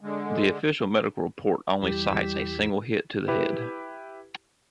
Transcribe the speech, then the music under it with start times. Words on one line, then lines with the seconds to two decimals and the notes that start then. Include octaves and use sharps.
The official medical report only cites a single hit to the head.
0.01 D3 G#3
1.82 E2 E3 G3 E4 G4
3.28 E4 G4 B4